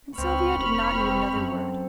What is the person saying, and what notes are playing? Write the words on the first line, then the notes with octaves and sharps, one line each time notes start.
And Sylvia did not need another word.
C#2 C4 B5 C#6 F6
F1
C4
F#2 A4